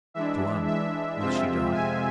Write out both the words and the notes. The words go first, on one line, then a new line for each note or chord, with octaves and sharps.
"Tuan, will she die?"
E3 G#3 D4 E5
E5
F2 C3 G#3 C4 F4 E5
G#5